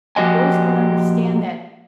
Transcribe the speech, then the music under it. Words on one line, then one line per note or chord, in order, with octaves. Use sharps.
Girls don't understand that
A#2 F3 F#4 G4 D#5 G#5